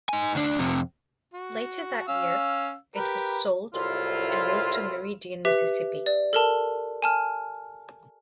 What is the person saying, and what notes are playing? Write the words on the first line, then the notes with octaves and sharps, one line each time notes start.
Later that year, it was sold and moved to Meridian, Mississippi.
D#4 G#5
D2 D4
F2 C3
F#4
C#4 F5 E6
G4 A#4 B4
C2 A2 C3 F#3 E4 F4
G4 B4 E5
D5
A4 A#4 A5
G#5 A5 F6